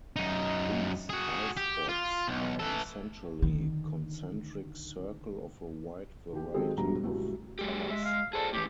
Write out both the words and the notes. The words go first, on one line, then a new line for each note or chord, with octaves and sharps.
These eyespots are essentially concentric circle of a wide variety of colours.
F#2 D#4
F#4 G#4
G4
F4
B1
E3 A4
D3 D#3
D#2 G4
D#3 F#3 G#3 C4 G#4 A4
E1 A#1 G2 F#3 A#5
C#2 A2 F#3 G3 A3
F#3 G#3 G4
G#3 E5
F5
G#4 A4 C5 D5
A2 E3 G4